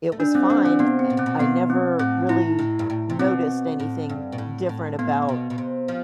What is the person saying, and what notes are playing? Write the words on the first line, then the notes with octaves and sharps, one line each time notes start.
it was fine, eh, I never really noticed anything different about
A3
G3 D4
F3 C4
E3 D4
D3 C4
C3 B3
C4
B2
C3 C4
B2
B2 B3
C4
A2 C4
A2 E4
A2
G2
A2
C3
B2 C4
A2
G2
B2
A2
A2
A2 B3
B2
B2
C3
F3